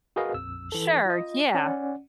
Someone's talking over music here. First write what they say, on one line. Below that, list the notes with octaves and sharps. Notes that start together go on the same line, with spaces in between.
Sure, yeah.
F#4 G#4 A#4 B4 D#5 F5
A#1 F2 E6
E3 A4
F4 D#5
C#4 D5 F#5